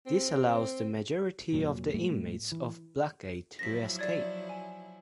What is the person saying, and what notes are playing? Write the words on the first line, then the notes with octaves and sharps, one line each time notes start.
This allows the majority of the inmates of Blackgate to escape.
C4
F1 F2 A#2 F#3
A2 G3 A3 A#3
E3
F3 F#3 E4 A#6 B6
D5 G#6
G#5